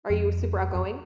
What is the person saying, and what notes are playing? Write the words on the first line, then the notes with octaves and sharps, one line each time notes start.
Are you super outgoing?
F2
F2